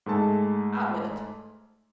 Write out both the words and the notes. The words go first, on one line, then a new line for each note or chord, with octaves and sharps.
Out with it.
G#2 G#3 A3 A4 A5